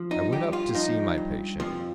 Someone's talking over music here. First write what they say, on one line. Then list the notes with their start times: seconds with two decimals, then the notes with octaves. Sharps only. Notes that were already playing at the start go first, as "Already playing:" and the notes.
I went up to see my patient.
Already playing: F3
0.11 D#4
0.32 G2 G4
0.53 F4
0.75 F3 D#4
1.18 G2
1.60 F2 F3